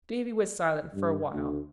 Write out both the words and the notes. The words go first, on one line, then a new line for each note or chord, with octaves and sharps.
Davie was silent for a while.
G2
D2